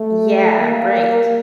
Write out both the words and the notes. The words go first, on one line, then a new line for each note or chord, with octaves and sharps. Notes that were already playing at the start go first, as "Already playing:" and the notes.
Yeah, right.
Already playing: A3
A#3